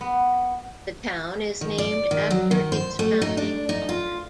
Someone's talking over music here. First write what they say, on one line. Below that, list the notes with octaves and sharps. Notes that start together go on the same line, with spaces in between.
The town is named after its founding father.
B3
D#3
D5
D#3
F#3
D#3
C5
A3
D#4
D4
D#4
F4